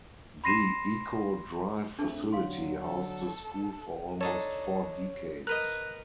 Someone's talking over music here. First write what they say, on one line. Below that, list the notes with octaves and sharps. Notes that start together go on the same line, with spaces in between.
The Echo Drive facility housed the school for almost four decades.
B5 C6 A#6 C7 D#7 E7
F2 A3 D4 G#4 A5
D3 F#3 F5 C6
A4
D4 D#4 A4 C#5
A#4 B4 D#5 F#6